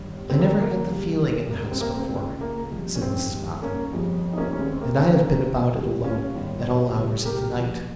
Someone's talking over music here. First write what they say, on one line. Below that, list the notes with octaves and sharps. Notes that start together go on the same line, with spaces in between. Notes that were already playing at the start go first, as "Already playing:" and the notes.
'I never had the feeling in the house before,' said Mrs Boffin; 'and I have been about it alone at all hours of the night.
Already playing: G1 G2 D#3
C#2 C#3 F3 G#3 C4
A#3
A#3
C2 C3 G3
D#2 C#3 G3 A#3
C4
A#3
C4
C4
C#2 C#3 G#3
A#3
C2 C3 F3 G#3
C#4
C4
D#2 D#3 G3
A#3 C#4
G1 F2 C3 F3 G#3
D#4
A#3 C#4
D#2 D#3 G#3 C#4
C4
A#3
C4
A#1 A#2 G#3 A#3 C#4
C#2 C3 D#3 G3
C#4 F4
G1 G2 D#3 G3
C#2 C#3 G3
G4 A#4
A#1 A#2 F3